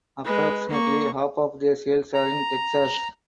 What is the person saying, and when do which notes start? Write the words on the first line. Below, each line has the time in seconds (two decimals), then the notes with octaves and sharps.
Approximately half of their sales are in Texas.
0.24 G#3 B4
0.69 A#3 C#6
2.14 A#5